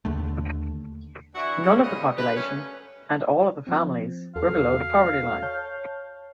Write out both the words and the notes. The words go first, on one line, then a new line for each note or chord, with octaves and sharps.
None of the population and all of the families were below the poverty line.
D#2 D3 A3
E3 D4 E4 F#4
C#3
F#2 A#2 G3 B3 D#5
D3 A3 G4 B4
F#2 G3 A3 C#4
F3 C4
E2 F#4 A4 F5
C#5 A5 G6